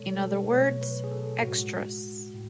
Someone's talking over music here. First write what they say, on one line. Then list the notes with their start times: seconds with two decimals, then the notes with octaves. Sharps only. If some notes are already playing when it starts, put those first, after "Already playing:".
In other words, extras.
Already playing: B2 G#3 A4 C#5
0.19 A4
0.50 B2 F#3 A3 C#5
0.81 B4
1.04 G#4
1.11 A4
1.42 A2 G#3 F#4
2.34 A2